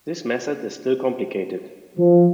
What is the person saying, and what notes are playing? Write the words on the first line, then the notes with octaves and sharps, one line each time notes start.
This method is still complicated.
F3